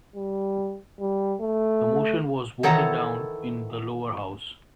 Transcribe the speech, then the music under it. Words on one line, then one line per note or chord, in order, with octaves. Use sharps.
The motion was voted down in the Lower House.
G3
G3
A3
D#3 E3 A4 C#5 F#5 A#5